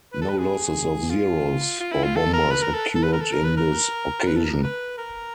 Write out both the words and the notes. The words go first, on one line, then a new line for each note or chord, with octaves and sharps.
No losses of Zeros or bombers occurred on this occasion.
B4
A4
B4
G#4
F4
F4
E4
F4
A4
A#4
B4
A#4
A4
A4
B4
A#4
A4
A#4
B4
A#4
B4
A4
A#4
B4
A#4